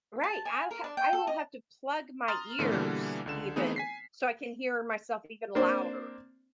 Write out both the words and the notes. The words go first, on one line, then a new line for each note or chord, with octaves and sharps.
Right, I'll ha I will have to plug my ears even, so I can hear myself even louder
A5
G#5
A#4
D4
G5
A4
D#5
A#5 C6 D#6 F6 A6
G#2 D3 E3 A3 B3 C#4
B2 D3 E3 G3 A#3
C#2 D3 E7
E3 A3 B3 C4 D#4 G#4
G#5 B6 C7
A#3 C4 D4 C5